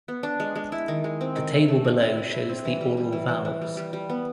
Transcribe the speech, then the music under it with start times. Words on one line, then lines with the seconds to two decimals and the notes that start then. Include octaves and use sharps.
The table below shows the oral vowels.
0.08 B3
0.23 D4
0.40 G#3
0.55 G#3
0.72 E4
0.88 D#3
1.04 G#3
1.21 C4
1.36 D#3
1.52 E4
1.68 A3
1.84 C4
2.01 E4
2.17 E4
2.32 E4
2.49 C4
2.65 E3
2.81 G3
2.97 G3
3.12 E3
3.28 E3
3.45 E3
3.61 G3
3.77 G3
3.93 G3
4.09 B3